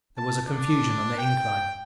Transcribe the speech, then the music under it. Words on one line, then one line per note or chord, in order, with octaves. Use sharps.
There was a confusion on the incline.
A5
D4
G5